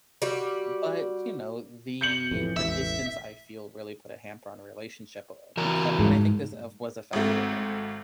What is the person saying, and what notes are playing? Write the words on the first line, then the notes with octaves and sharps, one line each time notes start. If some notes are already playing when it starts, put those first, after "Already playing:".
But, you know, the the distance I feel really put a hamper on our relationship, bu becau and I think this of was affected, uh,
G3 F#4
G6 C#7 F#7
F2 A2 E3
E1 A1 E3 E5
E3 F#4 A#4
G#2 G3 A3 G#4
G#1 G#2 A3 C4